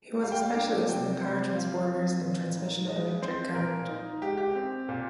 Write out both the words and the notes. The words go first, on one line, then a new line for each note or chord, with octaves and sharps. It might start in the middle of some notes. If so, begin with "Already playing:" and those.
He was a specialist in power transformers and transmission of electric current.
G3 F5
G5
F5
D4 G5
C3 G5
C3 C5
F3 F5
C4
A#2
D#4
G#3 D#5
C4 C5
A#2 A#4
D#4
G#3 G4
G4
C4
A#2